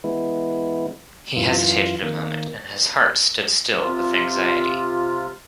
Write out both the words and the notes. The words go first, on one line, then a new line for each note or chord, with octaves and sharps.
He hesitated a moment, and his heart stood still with anxiety.
E3 G#3 B3 E4
F#2 E3 F4
D#3 A#3
C3 F4